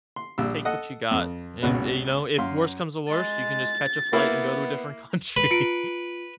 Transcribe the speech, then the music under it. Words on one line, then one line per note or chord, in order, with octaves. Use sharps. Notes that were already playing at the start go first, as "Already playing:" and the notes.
Take what you got, and, uh you know, if worse comes to worst, you can just catch a flight and go to a different country.
C6
A#1 G3 E6
A4 D#5 F#5
F2
G#1 C#2 B2 B4
F#2 F5 C6
G#3 A6
A#3 B3 E4
B4
F4 C#7 D7